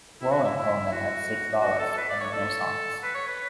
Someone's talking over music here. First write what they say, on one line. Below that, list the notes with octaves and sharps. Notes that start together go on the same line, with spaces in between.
William Hillman had six daughters and no sons.
E4
F#4
E4
E4
E4
F#4
F#4
A4
A4
B4
D5
C#5
A4
B4
C#5
B4